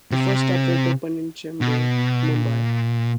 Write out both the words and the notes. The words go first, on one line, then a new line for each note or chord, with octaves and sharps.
The first outlet opened in Chembur, Mumbai.
C3
B2
A#2